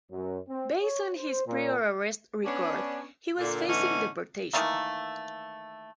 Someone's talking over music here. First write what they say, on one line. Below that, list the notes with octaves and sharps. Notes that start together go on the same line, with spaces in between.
Based on his prior arrest record, he was facing deportation.
F#2
C4
C#5
C5
A#2
B3 C#4 D4
A#2 D3
A2 D3 E3 B3 C#4 D#4
D#3 E3 A3 A#3